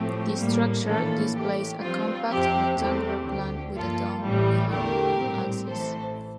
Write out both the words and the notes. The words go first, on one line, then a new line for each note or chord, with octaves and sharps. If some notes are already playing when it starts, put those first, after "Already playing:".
The structure displays a compact rectangular plan, with a domed mihrab axis.
Already playing: A2 F3 A3 C4 G4
A2 G3 A#3
A#1 A2 E3 A#3 F4 A4
A1 A2 E3 G4
G2 F3 C4 F4
F2 C3 F3 C4 G4
E2 C3 E3 A3 C4 G4
D2 D3 A3 G4
G2 F3 A#3 F4 A4
A1 A2 E3 G3
E2 D3 A3 G4 A#4
A#1 A2 G3 C4
A1 A2 E3 A4 C5